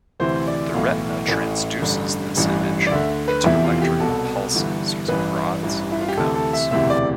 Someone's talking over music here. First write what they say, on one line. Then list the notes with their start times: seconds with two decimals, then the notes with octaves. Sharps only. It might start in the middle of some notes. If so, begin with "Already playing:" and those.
The retina transduces this image into electrical pulses using rods and cones.
0.20 D2 C3 E3 C5
0.47 D5
0.74 B1 A2 E3 F5
1.29 A1 A2 E3
1.82 A1 G2 D3
2.37 A1 G2 E3
2.87 D5
2.91 D2 D3 E5
3.28 B4
3.46 F1 E2 C3 E3 E4
3.64 F4
3.82 G4
4.00 C2 B2 A4
4.54 G1 G2 E3
5.08 A1 G2 E3 B4
5.63 A1 G2 E3
5.92 E4
6.01 F4
6.08 G4
6.17 D2 C3 E3 A4
6.35 A4
6.53 E5
6.71 E1 D2 C3 E3 E5
6.90 D5